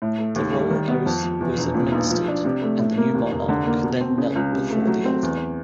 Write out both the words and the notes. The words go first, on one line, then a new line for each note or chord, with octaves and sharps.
The royal oath was administered, and the new monarch then knelt before the altar.
A2
A3
D#2
G3
D#3
B3
F2
F3
E2
E1
A#2
B1
F3
D4
C3
A3
A2
A#3
D#2
F1
D3
A#3
B2
C4
C#3
C#2
C3
A3
F#3
C4
E2